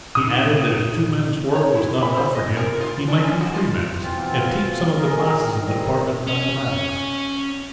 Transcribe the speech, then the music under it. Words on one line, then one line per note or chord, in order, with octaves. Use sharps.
He added that if two men's work was not enough for him, he might do three men's, and teach some of the classes in the Department of Mathematics.
A#2 D#4 D#6
C#5
E4
B5
C5
D#5
A#4
F4
D4
C#4
F#4
F4
B2 E3 C4 F4
A#2 G#4 A#4 D#5
D#3 G3 C4 D#5
C#4